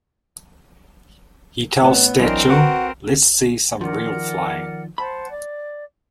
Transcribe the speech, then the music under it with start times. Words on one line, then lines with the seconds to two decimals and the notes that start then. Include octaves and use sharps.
He tells Stachel, Let's see some real flying.
1.82 A1 B3 B4 C#5
2.18 E3 F#3 C4 D4 A#4 D#5
2.49 F#4 B4 F#5
3.81 D#3 F3 A#4 D5 F#5
4.98 C5 F#5 A5 B5
5.30 D5